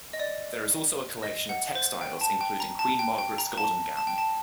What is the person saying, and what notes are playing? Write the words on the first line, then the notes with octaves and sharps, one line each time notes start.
There is also a collection of textiles including Queen Margaret's golden gown.
D#5
D5
D#5
F#5
C5
G5
A5
G5
A#5
A5
G5
G5
A#5
A5
A5
G5
A5